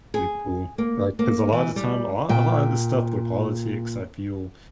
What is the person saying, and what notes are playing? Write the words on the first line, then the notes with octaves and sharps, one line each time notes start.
people like, 'cause a lot of the time, a lot a lot of the stuff with politics, I feel
G#4
A#3
A#3
E3
G3
A#2 G5